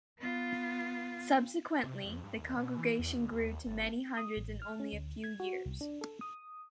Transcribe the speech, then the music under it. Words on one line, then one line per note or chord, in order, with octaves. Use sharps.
Subsequently, the congregation grew to many hundreds in only a few years.
B3 F4
C3
F2
G2
D#2
B2
E3
E2
D2
D#2
G1
D#6
A1
F6
C#4
D2
G#6
F#4
C2
D4
A4
D#6